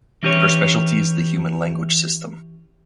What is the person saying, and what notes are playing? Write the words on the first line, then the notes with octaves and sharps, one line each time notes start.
Her specialty is the human language system.
E3 C#4 G4 B4 C#5